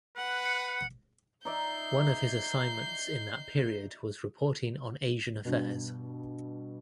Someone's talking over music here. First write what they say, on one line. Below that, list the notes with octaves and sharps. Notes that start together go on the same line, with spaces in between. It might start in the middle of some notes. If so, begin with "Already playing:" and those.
One of his assignments in that period was reporting on Asian affairs.
B4 F#5
C#7
D#4 D5 E5 G6 C7
G2 B2